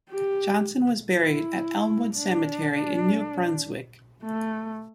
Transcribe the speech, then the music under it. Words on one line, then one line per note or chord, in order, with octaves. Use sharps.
Johnson was buried at Elmwood Cemetery in New Brunswick.
G4
E4
D4
A3